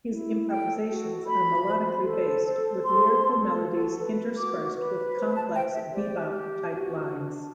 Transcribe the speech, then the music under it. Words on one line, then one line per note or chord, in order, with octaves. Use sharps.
His improvisations are melodically based, with lyrical melodies interspersed with complex bebop type lines.
E4
A4 G5
F#4
F#4 B5
C5
A4
C5
A4 C6
A4
F#4
B4
F#4 D6
B4
C5
A5
C5 G5
E5
G4 D5
G4
F#4
D4